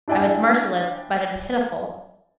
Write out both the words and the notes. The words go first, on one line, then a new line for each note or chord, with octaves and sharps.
I was merciless, but am pitiful.
D4 E4 D5 G5 G#5